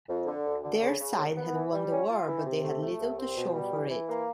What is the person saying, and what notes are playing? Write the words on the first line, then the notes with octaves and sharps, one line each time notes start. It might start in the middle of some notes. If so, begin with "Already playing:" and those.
Their side had won the war, but they had little to show for it.
F2
D3
D2
D3
C#3
C#3
D#2
B3
E3
G3
C#4
F4
E3
C3
A3
A3
C2
C4
B2
G3
E3
E3
A#3